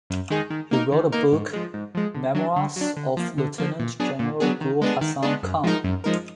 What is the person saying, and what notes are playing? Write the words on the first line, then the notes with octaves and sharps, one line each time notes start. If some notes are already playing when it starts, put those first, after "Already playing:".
He wrote a book "Memoirs of Lieutenant General Gul Hassan Khan".
F#2
D#3 G#3 D#4 G#4
D#3
A#3 D#4 A#4
D#3
A#3 D#4 A#4
G#2
F3 G#3
G#2
F3 G#3
D3
F#3 D4
D3
F#3 D4
D3
F3 A#3
D3
F3 A#3
A#2
F#3 B3 D4 G#4
A#2
F#3 B3 D4 G#4
D#3
G#3 B3 D4 G#4
D#3
G#3 B3 D4 G#4
F#2
F3 G#3 D#4 A#4
F#2
F3 G#3 D#4 A#4